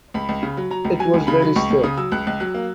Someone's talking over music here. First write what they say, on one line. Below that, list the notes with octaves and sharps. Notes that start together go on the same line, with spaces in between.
It was very still.
C#2 B5
C#2
C#3
F#3
F#3 A#5
C#2
F#3 G#5
C#2
C#3 B5
F#3
C#2 C#6
C#2
C#3 D#6
F#3 E6
C#2 F#6
C#2 F#6
F#3 F#6
A#3